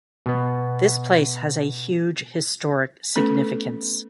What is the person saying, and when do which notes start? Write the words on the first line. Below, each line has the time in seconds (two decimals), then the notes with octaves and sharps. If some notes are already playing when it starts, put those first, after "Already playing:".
This place has a huge historic significance.
0.26 B2 B3
3.16 A3 B3 C#4 D4 A4 B4